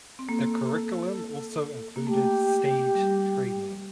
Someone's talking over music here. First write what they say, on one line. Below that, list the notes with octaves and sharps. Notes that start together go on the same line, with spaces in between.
The curriculum also included stage training.
C4
A#3 A4
A#3
A3 G4
G3